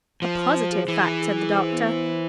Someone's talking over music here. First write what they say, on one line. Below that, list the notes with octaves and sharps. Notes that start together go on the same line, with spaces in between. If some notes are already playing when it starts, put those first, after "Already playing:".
"A positive fact," said the Doctor.
F3 C5
C5
C5
G#4
E3 G#4
G#4
G#4
G#4
C5
B3
C5
C5